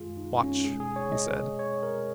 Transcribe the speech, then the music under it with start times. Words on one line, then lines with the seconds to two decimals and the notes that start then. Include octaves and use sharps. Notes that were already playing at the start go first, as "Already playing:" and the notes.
"Watch," he said.
Already playing: F#2 D#3 G#3 F4 G#4
0.17 D#4
0.41 C#4
0.64 B2 G#3 G#4
0.80 G#4
0.96 C#5
1.12 D#5
1.59 C#5
1.83 A#4